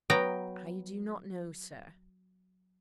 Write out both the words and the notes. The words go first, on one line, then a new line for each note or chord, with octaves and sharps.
"I do not know, sir!"
F#3 B3 G5 A#5